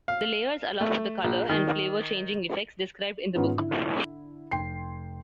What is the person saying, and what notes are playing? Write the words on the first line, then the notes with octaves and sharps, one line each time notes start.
The layers allow for the colour and flavour changing effects described in the book.
F5
A3
A#1
D#3
G#2 D#3 B3 C#4 D#4 F4
D3 E4
F1 G5 C6 C7